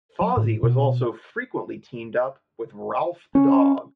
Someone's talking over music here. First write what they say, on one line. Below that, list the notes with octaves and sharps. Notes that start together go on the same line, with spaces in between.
Fozzie was also frequently teamed up with Rowlf the Dog.
F#3
A2
B2
C#4